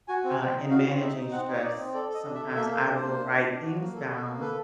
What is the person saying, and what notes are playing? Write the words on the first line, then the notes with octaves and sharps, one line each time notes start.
uh, in managing stress, sometimes I will write things down,
F#4 G#5
C4
G#5
C4
G5
D#4
F#4 F5
C4
D#4 E5
D#4
C4 F#5
D#4
C#5
D#4 D5
C4
A4 D5
A4
D#5
D4
E5
A4
A#3 E5
A4 F5
D4
A#3 C5
D4
D4
D4
F#4
A#3
A4
F#4
A#3
A4 B4